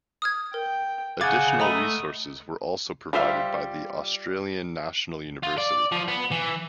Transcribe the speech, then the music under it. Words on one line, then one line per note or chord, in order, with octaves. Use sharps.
Additional resources were also provided by The Australian National University.
D#6 F6 G#6
A#4 G5
G#4 F5 F#5 G#5 D6 G#6 A6
A3 D#5 A#5 B5 D#6
G3 F4 C5 E5 F5
F4
D5
F3
B3
E3